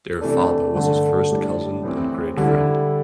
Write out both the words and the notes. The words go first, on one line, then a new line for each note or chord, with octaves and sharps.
Their father was his first cousin and great friend.
C3 E3 A3 D4
G2 D3 A3 D4
A2 G3 D4
A2 E3 C4
D3 G3 E4